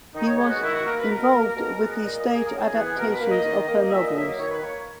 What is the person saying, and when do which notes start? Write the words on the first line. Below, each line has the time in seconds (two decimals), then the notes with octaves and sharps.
He was involved with the stage adaptations of her novels.
0.15 D#3 D#4
0.26 C#5
0.38 G#3 B3 C#5
0.51 F#4
0.61 D#3 E4
0.73 F#4
0.86 A#3 A#4
0.98 B4
1.09 B2 A#4
1.32 A#3
1.56 B2
1.80 G#3 B3
2.03 A#2 D#5
2.19 D#5
2.27 A#3
2.34 G#4
2.46 C#3 A#4
2.57 G#4
2.73 E3 B3
2.98 B2 A#4
3.14 B4
3.21 A#3
3.30 D#5
3.44 D#3
3.68 A#3
3.92 A#2 E5
4.04 D#5
4.15 F#3 A#3 E5
4.27 D#5
4.39 D#3 C#5
4.50 B4
4.63 A#3 C#5